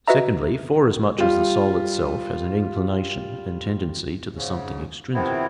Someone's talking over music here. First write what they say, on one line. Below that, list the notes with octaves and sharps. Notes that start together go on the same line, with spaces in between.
Secondly, forasmuch as the soul itself has an inclination and tendency to the something extrinsic.
F#4 B4 D#5 E5 A#5
G3 F4
G#2 C#3
C3 D#3 F3 B3 C4 E4